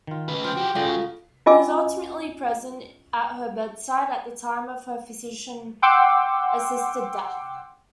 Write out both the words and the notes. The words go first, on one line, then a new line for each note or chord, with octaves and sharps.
He was ultimately present at her bedside at the time of her physician-assisted death.
D#3 F4
C#3 B4
F3 G5 C6 F6
F#4 G4
C#3 G#3 F4 A4 D5 F5 F#5
F#4
C#4 F4 D#5 G#5 D6 E6
F#5 G5 C6 D6 E6